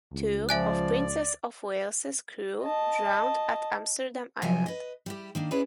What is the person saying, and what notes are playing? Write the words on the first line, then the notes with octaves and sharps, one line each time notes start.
Two of "Princess of Wales"s crew drowned at Amsterdam Island.
C#2
F3 D5 E5 G#5 F#6
D#5 A5
C3 F3 F#3 G4 G#5
B4 D#5
G3 E4 G4
D#3 A#3 D4
C#4 E4 G#4 B4 C#5 D5